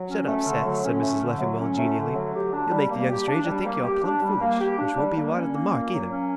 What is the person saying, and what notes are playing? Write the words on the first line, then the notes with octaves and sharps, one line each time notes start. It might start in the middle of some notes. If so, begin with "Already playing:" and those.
"Shut up, Seth," said Mrs. Leffingwell, genially, "you'll make the young stranger think you're plum' foolish, which won't be wide of the mark either."
Already playing: F#3
C#4
A3
D3
F#3
C#4
A3
D3
F#3
C#4
A3
D3
F#3
G4
D4
G3
A#3
G4
D4
G3
A#3
G4
D4
G3
A#3
G4
D4
G3
A#3
C#4
A#3
A#2
F#3
C#4